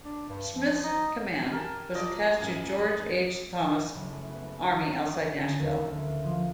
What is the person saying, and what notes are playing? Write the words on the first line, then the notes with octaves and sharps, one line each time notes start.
Smith's command was attached to George H. Thomas' army outside Nashville.
D4
G2
F3
D#4
G4 A#4 G#5 A5
F4 D5 D#5 A5 D6
A3
A1 F#2 G#5
F#1
A3
B3
A#5
C#6
C#6
D3
D#2
E6
D2
F3